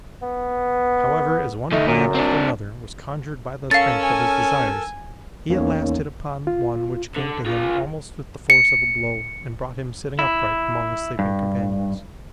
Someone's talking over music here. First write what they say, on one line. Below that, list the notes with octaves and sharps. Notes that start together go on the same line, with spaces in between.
However, as one plan after another was conjured by the strength of his desires, he at last hit upon one which came to him almost with the force of a blow and brought him sitting upright among his sleeping companions.
B3
D2 A3 D#4
F#2 A#2
C4 D4
C#4 A4 A#4 F5 E6 A6
G#5
E2 A#3 C#4 D#4 C#5
F4
D3
F4 G#4
C#7
E4
G2